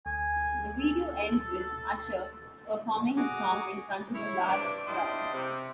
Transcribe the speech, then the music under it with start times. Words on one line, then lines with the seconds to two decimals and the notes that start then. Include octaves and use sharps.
The video ends with Usher performing the song in front of a large crowd.
0.06 D2 G#5
0.79 A4
3.17 F#4 G#4 F#5 G#5 A#5 D6
4.14 E4 C#5
4.44 G2 C3 D4
4.87 D4 E4 F4 G4 C5 D#5
5.33 C3